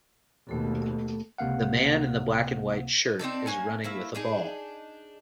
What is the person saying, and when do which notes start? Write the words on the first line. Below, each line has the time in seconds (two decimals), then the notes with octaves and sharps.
The man in the black and white shirt is running with a ball.
0.49 D#2 B2 A3 A4
1.38 C#2 C3 A#3 F5 F#5
3.19 C4 D4 D#4 A4
3.47 A#3 C#4 F#5 G#5
3.84 G3 A3 A#3 E4
4.15 D4 D#4 G#4